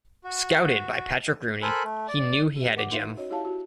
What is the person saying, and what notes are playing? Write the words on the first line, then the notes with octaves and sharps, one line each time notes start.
Scouted by Patrick Rooney, he knew he had a gem.
F#4
A4 A#4 C5 G#5 B5 F#6
A3
D5
G4 E5
A#4 B4 F#5 D6
D#4 F4 A4 B4 E5 F5
C#4 F#4 C#5 D#5
E4 G4 C#5 E5 F5 A5
F#4